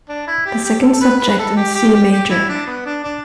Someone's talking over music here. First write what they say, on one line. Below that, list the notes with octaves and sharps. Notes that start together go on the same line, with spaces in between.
The second subject in C major.
D4
E4
G4
G4
A4
A4
B4
B4
B4
A4
G4
G4
G4
G4
E4
D4
B3
D4
D4